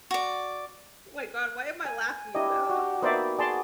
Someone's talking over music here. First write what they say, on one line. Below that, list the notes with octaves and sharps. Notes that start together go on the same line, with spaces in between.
my god, why am I laughing? No,
F#4 D5
G#5
D4 E4 G4 D#5
F#4
A#3 B3 D#4 C5 D5 E5
G#4 D5 A5 C6